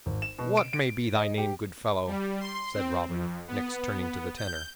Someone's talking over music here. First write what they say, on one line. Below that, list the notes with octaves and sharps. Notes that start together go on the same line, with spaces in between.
"What may be thy name, good fellow?" said Robin, next, turning to the Tanner.
G#1
E7
B2
D7
D7
D#5
G4
G3
C6
C4
F2
B3
G6